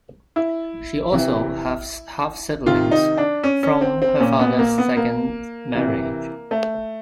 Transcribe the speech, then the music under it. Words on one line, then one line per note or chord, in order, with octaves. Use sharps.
She also has half-siblings from her father's second marriage.
E4
C3 E3
C3 D#3 F4
D#4
D4
C#4
C#4
C4
C4
A#2 C#4
B3
A#3
B3
A#3
C3 E3
A3